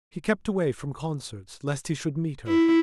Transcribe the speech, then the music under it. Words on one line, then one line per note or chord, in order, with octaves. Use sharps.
He kept away from concerts lest he should meet her.
E4